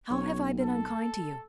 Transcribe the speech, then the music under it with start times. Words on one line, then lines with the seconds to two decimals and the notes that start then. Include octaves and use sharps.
"How have I been unkind to you?"
0.10 B1 C#5
0.61 A4